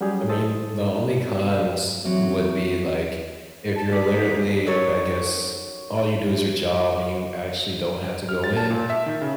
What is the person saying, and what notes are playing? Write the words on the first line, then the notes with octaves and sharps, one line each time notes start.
I mean, the only cons would be, like, if you're literally I guess, all you do is your job and you actually don't have to go in,
F#3 G3 C#4 G4 G#4
A2 A4 C5 A5 D#6 A6
G#3 G4 C5 F5
E3 F#3 C4
A5
G#4 D5 B6
G#3 A#3
G#2
D#3 F#3 C#4 A4 C#5
F6
A6
A5
A#2
E5
D#3
C#3